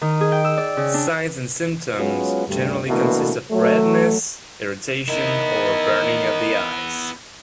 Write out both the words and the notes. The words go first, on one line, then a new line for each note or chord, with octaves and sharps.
Signs and symptoms generally consist of redness, irritation or burning of the eyes.
D#3
G#4
G5
E6
D5
C#3
D4
F#3 G#3 B3 C#4 F4
D2 G2
B2 D3 E3 A3 A#3
F#3 A3
D#3 B3 E4